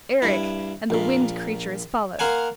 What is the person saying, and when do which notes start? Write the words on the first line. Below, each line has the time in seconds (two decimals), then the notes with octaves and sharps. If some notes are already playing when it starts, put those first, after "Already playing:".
Eric and the Wind Creatures followed.
0.22 G2 E4
0.90 A#1 A#2
2.19 A#3 A#4 C5 F#5 G#5